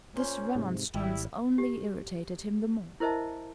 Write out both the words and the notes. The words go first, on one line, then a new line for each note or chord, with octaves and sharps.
This remonstrance only irritated him the more.
A#2 C#4 C5
G#2 C3
G#1 G3 E4
G4
E4 A#4 C5 D#5 E5 A5